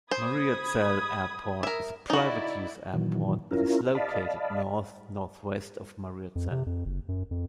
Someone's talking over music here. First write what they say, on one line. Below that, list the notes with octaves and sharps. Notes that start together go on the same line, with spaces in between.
Mariazell Airport is a private use airport that is located north-northwest of Mariazell.
C5 B5 D#6 G#6
A#4 E5
D#4 E4 F#4 D5
A#2 D#3 E3 F#3
C#4 E4 F4 A#4
D5 D#5 F5 A5 B5
F2
C3
F2
F#1
F#2
F2